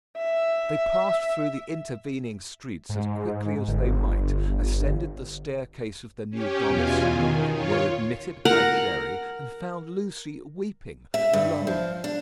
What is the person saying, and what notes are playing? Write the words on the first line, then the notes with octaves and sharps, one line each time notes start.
They passed through the intervening streets as quickly as they might, ascended the staircase of the new domicile, were admitted by Jerry, and found Lucie weeping, alone.
E5
G#2
G1
C#4 G4
E2 B2 F4 G#5
D#3
F4 C#5
A#4 F#5 A#5
E5
G2
F3
D4